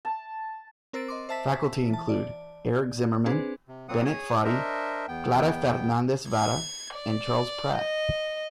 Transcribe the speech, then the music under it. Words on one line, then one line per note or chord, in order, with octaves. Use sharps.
Faculty include Eric Zimmerman, Bennett Foddy, Clara Fernandez-Vara, and Charles Pratt.
A5
C4 A#4 C5 E6 A6 D7
D#5 C6 D6
C5 E5 A5 E6 B6
E3 A5
D5
C4 D4 G#4 B4 C5
C3
A#2 F#3 A#3 C4 F#5 D#6
G#4 C#5 D#6
D4 A#4 C5 D#5 E5
E2 B3 G5
G#6
D5
D#5